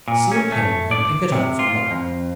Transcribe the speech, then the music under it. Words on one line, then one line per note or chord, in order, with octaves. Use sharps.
See a pin and pick it up for luck.
A#2
C#4
A3
D5
C3
F4
F2